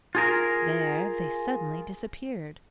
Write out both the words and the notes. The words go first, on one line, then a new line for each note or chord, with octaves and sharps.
There they suddenly disappeared.
F4 G#4 A#4